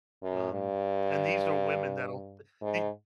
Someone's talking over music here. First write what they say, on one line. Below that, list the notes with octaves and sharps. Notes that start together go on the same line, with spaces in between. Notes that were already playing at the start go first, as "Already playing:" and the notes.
um, and these are women that'll b be
F#2
G2
G#2